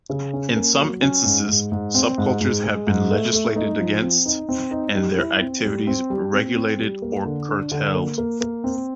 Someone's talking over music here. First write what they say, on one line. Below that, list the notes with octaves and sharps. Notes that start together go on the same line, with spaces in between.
In some instances, subcultures have been legislated against, and their activities regulated or curtailed.
C#3
C#4
A#3
F#3
C#4
G#2
G#2
G#2
C4
G#2
G#2
G#3
G#2
A3
A3
D#4
F3
C4
D#4
C4
D#4
G3
E4
C4
G3
C4
G3
C4
C4
G3
A#3
D3
D4
D3
A#3
A#3
A#3
C4